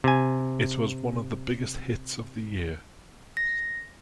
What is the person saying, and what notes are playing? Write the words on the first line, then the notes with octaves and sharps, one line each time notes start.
It was one of the biggest hits of the year.
C3 G#5
A#6